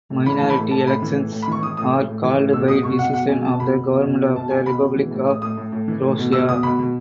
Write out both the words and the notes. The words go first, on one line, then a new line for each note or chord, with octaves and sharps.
Minority elections are called by decision of the Government of the Republic of Croatia.
A2
E3 B5
E3 A5
B5
A2
A2 A5
A2 B5
E3
A2
A2
B5
E3 C#6
E3 D#6
A2 D#6
A2
A2
E3
A2
B2 E6
B2 D#6
B2 C#6
B2 F#5
B2 F#5
B2 G#5
B2 A5
B2 B5
B2
B2
B2
B2
B2 A5
B2 G#5
B2 B5
B2
E3
A2
A2 D#6
A2 D#6
A2
A2
E3
A2
B2
B2 E6
B2 D#6
B2 B5
B2